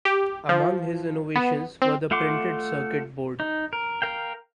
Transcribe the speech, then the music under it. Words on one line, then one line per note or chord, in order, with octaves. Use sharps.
Among his innovations were the printed circuit board.
G4
F3
B3
C4
A3 F4 F#5 C6 D6
D#4
A#4
A#4 F5 G5